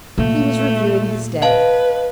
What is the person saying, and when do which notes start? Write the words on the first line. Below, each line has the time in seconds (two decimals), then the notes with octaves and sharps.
He was reviewing his day.
0.18 A#2 A3
1.42 B4 D#5 F5 A5